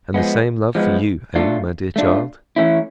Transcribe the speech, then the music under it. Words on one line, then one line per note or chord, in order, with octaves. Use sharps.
"And the same love for you--eh, my dear child?"
F3 G#3 B3
F3 G#3 B3
A3 D4 F4
A3 D4 F4
E3 A3 C#4 E4